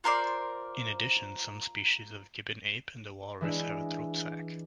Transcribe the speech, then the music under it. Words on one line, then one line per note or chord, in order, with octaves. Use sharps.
In addition some species of gibbon ape and the walrus have a throat sac.
F4 A#4 C5 D5
E3 G#3 D4 E4